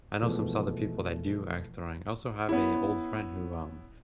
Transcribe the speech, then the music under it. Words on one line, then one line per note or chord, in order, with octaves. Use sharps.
I know some sorta people that do axe throwing. I also have a old friend who, um
B2 E3 F3 G#3 A3
B3 C#4 E4